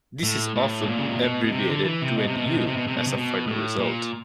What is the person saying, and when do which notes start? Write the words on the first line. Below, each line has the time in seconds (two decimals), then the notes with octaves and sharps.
This is often abbreviated to a 'U' as a final result.
0.23 A2
0.56 A2
0.82 B2
0.88 A#2
0.98 C#3
1.09 C3
1.20 B2
1.44 B2
1.52 C3
1.69 D3
1.85 E3
2.01 C3
2.17 B2
2.27 C3
2.37 B2
2.47 C3
2.58 B2
2.67 C3
2.77 B2
2.87 C3
2.97 B2
3.07 C3
3.17 B2
3.47 A2
3.79 A#2